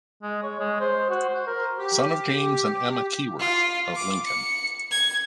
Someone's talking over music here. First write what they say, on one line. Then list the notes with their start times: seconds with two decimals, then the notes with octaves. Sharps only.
Son of James and Emma Keyworth, of Lincoln.
0.22 G#3
0.43 C#5
0.60 G#3
0.81 C5
1.10 F#4
1.28 C5
1.47 A#4
1.78 G4
3.40 F4
3.95 D6
4.26 C#7
4.91 G#6